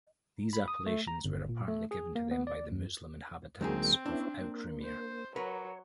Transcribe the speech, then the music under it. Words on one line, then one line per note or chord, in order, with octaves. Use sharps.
These appellations were apparently given to them by the Muslim inhabitants of Outremer.
B5
D#6
A3
A#5
G1
A#2
A3
G#4
A#3
B3
D5
F#2
D2 F#3 G#3 A#3 C4 D#4 G#4
B3 C#4 D4 E4
A#3
C5
F#3 A#4 B4 C#5